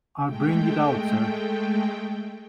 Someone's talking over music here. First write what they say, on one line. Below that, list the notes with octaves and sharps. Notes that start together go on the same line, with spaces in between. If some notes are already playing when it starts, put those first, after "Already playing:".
I will bring it out, sir.
G#3 A3 G5